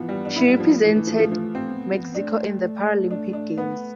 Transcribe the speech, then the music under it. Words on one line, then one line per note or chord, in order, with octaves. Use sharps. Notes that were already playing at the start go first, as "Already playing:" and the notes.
She represented Mexico in the Paralympic Games.
Already playing: E3 F3 B3
G3
D4
E4
G3
F3
F3 A3
E3
E3
F3
F3
F3
C4
B3
A3 D4
D4
D4
B3